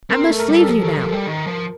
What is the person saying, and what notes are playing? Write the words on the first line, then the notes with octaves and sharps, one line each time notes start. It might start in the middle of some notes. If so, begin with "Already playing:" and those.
I must leave you now.
C4 A#4
A3 A4
A#4
G3
A4
F3 G4
D#3
F3
G3
D#3
F3 A#4